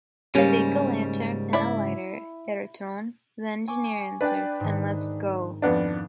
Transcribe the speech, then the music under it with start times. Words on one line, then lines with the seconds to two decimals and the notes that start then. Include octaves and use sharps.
Take a lantern and a lighter, Aytron, the Engineer answers, and let’s go.
0.35 G#2 C#3 G3 A#3 C#4 C#5 F5
1.53 E4 D5 E5 B5
3.68 G#5 C#6 D6
4.21 D4 B4 D5 G5
4.60 G#2 D#3
5.62 F2 B3 D4